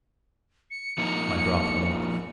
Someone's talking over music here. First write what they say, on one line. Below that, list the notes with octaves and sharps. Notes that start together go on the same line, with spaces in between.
My brother laughed.
C#7
F3 A#3 D#4 C#7